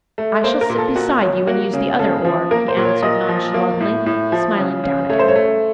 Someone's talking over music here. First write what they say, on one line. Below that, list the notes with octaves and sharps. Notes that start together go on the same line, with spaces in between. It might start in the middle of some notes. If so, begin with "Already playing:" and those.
"I shall sit beside you and use the other oar," he answered nonchalantly, smiling down at her.
A3
A#3 C5
A#4
A#2
A4
A#2 F#4
F#3
A#3 F#4
C#3
C#3 A4
F3
A#3 A#4
C5
A#2
C#5
A#2 D#5
F3
A#3
A2
A2
F3
C#3
C#3
A3 C#5
C5
C#5
A3